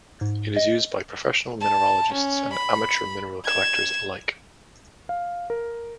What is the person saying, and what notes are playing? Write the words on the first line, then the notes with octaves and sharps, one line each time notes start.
It is used by professional mineralogists and amateur mineral collectors alike.
G#2
D#5
A5
C#4
B5
G#6 E7
F5
A#4